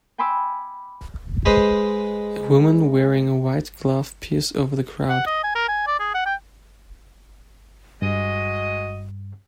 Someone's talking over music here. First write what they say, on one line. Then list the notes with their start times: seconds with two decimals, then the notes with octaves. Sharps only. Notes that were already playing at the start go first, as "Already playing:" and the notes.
A woman wearing a white glove peers over the crowd.
0.18 G5 G#5 B5 C6 D6 E6
1.45 G#3 B4 C5 D#5
5.09 F#5
5.26 D#5
5.44 G#5
5.55 A#4
5.68 G#5
5.87 D5
6.00 G#4
6.14 F#5
6.26 G5
8.02 G2 G#3 F#4 D#5